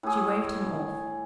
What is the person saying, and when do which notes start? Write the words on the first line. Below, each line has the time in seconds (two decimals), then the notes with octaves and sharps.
She waved him off.
0.03 A2 G#4